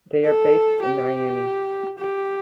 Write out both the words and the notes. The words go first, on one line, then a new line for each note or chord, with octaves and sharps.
They are based in Niamey.
A4
G4
G4